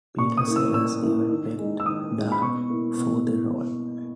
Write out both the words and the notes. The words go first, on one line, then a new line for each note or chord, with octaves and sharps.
Peter Sellers even begged Dahl for the role.
A#2 C#6
D#6
A#3 E4
E6
A#2 E6
A#3 E4
D#3
G#3 D#4
E6
D#3 D#6
G#3 D#4
B5
B2 C#6
A#3 E4
B2
A#3 E4